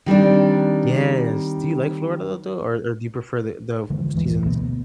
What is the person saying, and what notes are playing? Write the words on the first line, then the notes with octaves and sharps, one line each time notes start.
Yes, do you like Florida though, or or do you prefer the the seasons
D#3 G3 C4 D4
D3 E3 F3 G#3
D2 G2 E3
D2 B2 A#3 B3